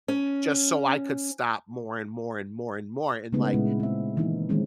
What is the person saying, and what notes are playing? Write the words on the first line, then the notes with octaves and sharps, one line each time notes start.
just so I could stop more and more and more and more, and like,
C#4
C#3 G#3 A3 B3 D#4
A#2 G#3 E4
C4 E5
D#3 E3 A#3 D#4 E4
D#3 E3 G3 G#3 C4 C#4